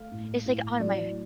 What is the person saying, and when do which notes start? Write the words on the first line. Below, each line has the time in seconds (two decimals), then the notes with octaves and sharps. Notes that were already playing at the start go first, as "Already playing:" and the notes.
is like, on my
Already playing: A3 F5
0.11 A2
0.45 A2
0.80 F#3 D5